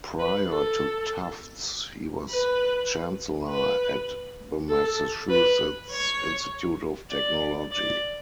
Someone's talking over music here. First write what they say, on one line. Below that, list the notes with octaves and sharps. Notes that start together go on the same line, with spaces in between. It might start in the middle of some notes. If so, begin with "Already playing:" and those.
Prior to Tufts, he was chancellor at the Massachusetts Institute of Technology.
B4
A4
B4
B4
A4
B4
C#5
D5
D5